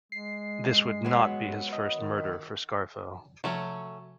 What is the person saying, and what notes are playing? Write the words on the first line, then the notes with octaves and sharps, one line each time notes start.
This would not be his first murder for Scarfo.
G#3 C7
F#3 B3
D#5
D#3
C3 F3 F#3 A3 C#4